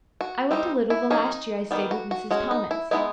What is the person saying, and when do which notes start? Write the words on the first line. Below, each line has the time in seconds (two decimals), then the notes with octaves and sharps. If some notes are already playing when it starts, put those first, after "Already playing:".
I went a little the last year I stayed with Mrs. Thomas.
0.21 F#4
0.51 G3 C4 D#4
0.90 E4
1.10 F#3 A#3 C#4 D#4
1.71 D#3 G3 B3
1.91 F#4
2.11 F#4
2.31 G#3 C#4 F#4
2.51 D#4
2.71 E4
2.91 G#3 B3 D#4 E4